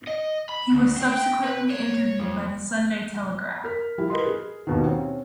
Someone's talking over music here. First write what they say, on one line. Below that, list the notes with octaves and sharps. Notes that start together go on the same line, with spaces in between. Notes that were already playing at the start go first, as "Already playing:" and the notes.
He was subsequently interviewed by the "Sunday Telegraph".
D#5
B5
D2
C4
G5
B4
C#5
F2
A#4 F6 B6
F3 G3 E4
A#4 B4 D#5 C6
G#4
D#2 B2 D#3
C4 C#4